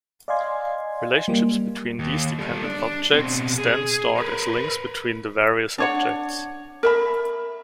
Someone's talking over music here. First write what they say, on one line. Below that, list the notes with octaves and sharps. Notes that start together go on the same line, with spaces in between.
Relationships between these dependent objects is then stored as links between the various objects.
D5 D#5 F5 G#5 C6 G#6
G3 A#3 G4
D#2
G3 A4
D4
B2 C4
G#4
A#4 B4
D4 C#5 F#5
A#4 E5 B5